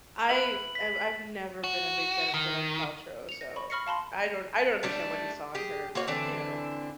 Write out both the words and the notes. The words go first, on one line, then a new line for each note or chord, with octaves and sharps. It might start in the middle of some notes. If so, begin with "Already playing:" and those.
I I've I've never been a big fan of Gwyneth Paltrow, so I don't I don't understand what he saw in her, but, you know
B4 E5 F#7
B6
F#4
D#3
C#7 F7
A#6
B5 C#6
B5 C#6 F6 A#6 C7 C#7
F5 A5 B5 C6
G3 A3 D4
G4 G#4
A#3 F#4 C#5
D3 E3 C4 D4